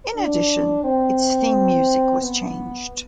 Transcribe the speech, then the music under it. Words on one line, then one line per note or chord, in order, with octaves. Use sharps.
In addition, its theme music was changed.
D4
C4
B3